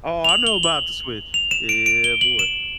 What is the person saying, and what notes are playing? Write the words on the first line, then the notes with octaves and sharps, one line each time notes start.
Oh, I know about the switch. Yeah, yeah, yeah, boy.
F7
F#7
G7
F#7
F7
E7
D7
D7
G7
F#7
E7